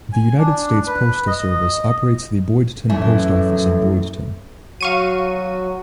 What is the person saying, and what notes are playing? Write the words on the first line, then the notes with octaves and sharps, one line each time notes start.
The United States Postal Service operates the Boydton Post Office in Boydton.
G#5
D4
B4
D#5
F#2 A2 E3 A3
F#3 F#4 F5 C#6 D#7